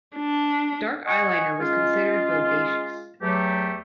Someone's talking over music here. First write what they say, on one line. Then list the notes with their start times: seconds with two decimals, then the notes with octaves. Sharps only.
Dark eyeliner was considered bodacious.
0.16 D4
1.06 D#5 F#5 G#5 C#6
1.59 G#3 C#4 F4
3.21 E2 F#3 A3 G4